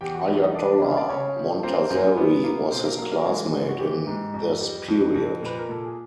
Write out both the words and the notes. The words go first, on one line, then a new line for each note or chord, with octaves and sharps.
Ayatollah Montazeri was his classmate in this period.
E2 G4 G5
F#4 F#5
E2 E4 E5
D#4 D#5
E2 D4 D5
C#3
D5
C#3 C#4 C#5
F3
A#3 C4 C5
F#2
F#3 B3 B4
A#3
B2 C4 C5
A#3 A#4
F#3 A#3 A#4
A#3 A#4
E3 G#3 G#4
G3
F#4
E3 G4
G#2
F2
G3
F2
F2
A#2 B4
A#4
A#2 A4
G#4